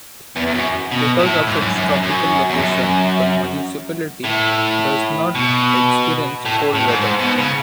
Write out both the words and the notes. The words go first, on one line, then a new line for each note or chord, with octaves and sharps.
Because of its tropical location the municipality does not experience cold weather.
E2
E2
F#2
B2
A2
G#2
F#2
F#2
F#2
F#2
E2
F#2
A2
B2
A2
A2
G#2
G#2
B2
C#3